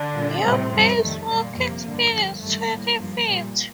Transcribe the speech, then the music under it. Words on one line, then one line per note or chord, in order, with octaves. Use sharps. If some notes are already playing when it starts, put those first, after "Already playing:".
Your base walking speed is twenty feet.
Already playing: D3 D4
A#2 G3
A2 C3 G3 C4
F2 C3 D#3 G3
F2 D#3 G3 A3
A#2 G3 A#3
F2 C3 F3 A#3
G2 D3 G3
G2 D3 F3 A#3
G2 D#3 G3 A3
A2 G3 A#3
G2 F3
A#2 G3